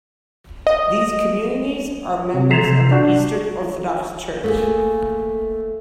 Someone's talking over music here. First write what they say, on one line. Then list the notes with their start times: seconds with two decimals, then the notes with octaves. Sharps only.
These communities are members of the Eastern Orthodox Church.
0.67 D#5
2.34 C3
2.51 E3 F3 A#5 C6
2.64 C3
2.91 D4 F#4
4.44 A3 A#3 G#4